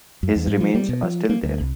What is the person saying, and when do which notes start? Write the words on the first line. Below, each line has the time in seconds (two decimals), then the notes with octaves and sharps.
His remains are still there.
0.23 F#2
0.36 E2
0.47 G#2
0.61 F3
0.75 G3
0.89 B2
1.03 F3
1.29 A#3
1.43 D2
1.61 C2